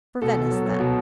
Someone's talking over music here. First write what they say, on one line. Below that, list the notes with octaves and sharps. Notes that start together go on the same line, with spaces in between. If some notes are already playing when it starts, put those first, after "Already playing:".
'For Venice, then.
B2 A4
B2
F#3
F#3
B2